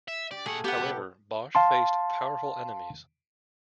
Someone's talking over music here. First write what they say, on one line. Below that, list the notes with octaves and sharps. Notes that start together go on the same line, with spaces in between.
However, Bosch faced powerful enemies.
E5
G4 D5
A#2 A3 G#4 F#5
B3 G4 B4 F#5
B2 F#3 A4
F5 A5 C6